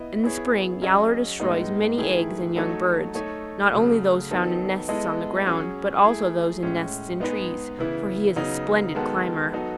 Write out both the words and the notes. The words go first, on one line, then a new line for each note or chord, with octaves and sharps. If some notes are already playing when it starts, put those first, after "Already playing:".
In the spring Yowler destroys many eggs and young birds, not only those found in nests on the ground, but also those in nests in trees, for he is a splendid climber.
Already playing: B3 E4 B4 D#5
B3 E4 G#4 C#5
F#3 C#4 G#4 D#5
A2 G#3 B3 D#4
D#3 A3 E4 G#4 B4
F#3 A3 D#4 A4 C#5
A3 D#4 A4 C#5
C#3 F#3 A3
D#3 F#3 B3 D#4 A4
G#3 B3 E4 A4 D#5
F#3 C#4 G#4 C#5
A3 E4 G#4
A2 G#3 C#4
G#3 B3 D#4 G#4 B4
C#3 E3 B3 E4
C#3 F#3 B3 D#4
D#3 G#3 B3 F#4 A4
F#3 B3 D#4 F#4 A4